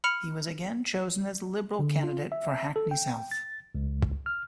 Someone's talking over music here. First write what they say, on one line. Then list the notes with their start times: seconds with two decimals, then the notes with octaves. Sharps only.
He was again chosen as Liberal candidate for Hackney South.
0.04 B5 F6 C#7 F7
1.79 D3
2.04 F4
2.32 E5
2.76 A4
2.91 G5
3.31 A6
3.75 C#2
4.26 F6